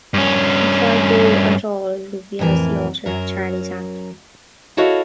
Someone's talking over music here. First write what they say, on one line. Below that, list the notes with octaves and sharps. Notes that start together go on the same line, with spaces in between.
If I go at all it will be as the author of Charley's Aunt.
G2 C#4
F2 A2 E3 A#4
F#2 F#3 A#4
E4 F#4 A4 C#5 D#5 F5